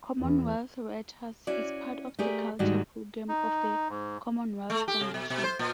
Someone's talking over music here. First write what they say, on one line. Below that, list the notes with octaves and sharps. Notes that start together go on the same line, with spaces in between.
Commonwealth Writers is part of the Culture programme of the Commonwealth Foundation.
E2
C#4 E4 F#4 D5
A3 G4 G#4 A#4 D5
G#2 D3 D#3 G3 F#4 G4
D#4
G#2
A3
G4
C3
B2
B2
C5
A#2